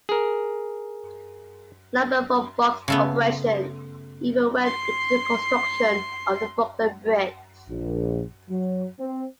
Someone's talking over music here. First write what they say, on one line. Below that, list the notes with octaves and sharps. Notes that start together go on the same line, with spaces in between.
Lumber from Buck's operation even went into the construction of the Brooklyn Bridge.
G#4 A#4
C#3 A3 B3
C6 C7
A#1
F#3
C4